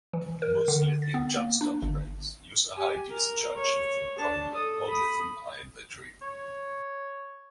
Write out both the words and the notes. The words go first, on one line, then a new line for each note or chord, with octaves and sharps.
Most lithium jump starter brands use a high discharge lithium polymer or lithium-ion battery.
E3
A#4
D3
A6
B3
A#3
D4
G1
G4 G#5
A#4
C#5
D4 A5
A4 D#6
B5 D#6
C#5